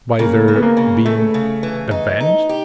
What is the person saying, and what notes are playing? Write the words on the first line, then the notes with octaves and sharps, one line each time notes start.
By their being avenged?
C#3 A#3
E3
B3
A#3
C#3
C#3 A3
C#3
E3
D#4
D#4
G4